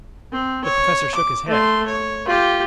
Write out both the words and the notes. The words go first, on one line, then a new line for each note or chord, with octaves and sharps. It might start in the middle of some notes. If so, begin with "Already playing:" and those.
The Professor shook his head.
C4
C#5
D6
A3 C6
C#5
F4 G4